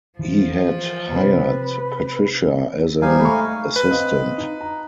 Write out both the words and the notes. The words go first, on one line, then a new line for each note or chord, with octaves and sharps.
He had hired Patricia as an assistant.
E3 F3
C3 C4 B4
G3 D#4 C5 F5 G#5
A3 B5 C#6
B4
C4 D#5 F5
D#4
A#5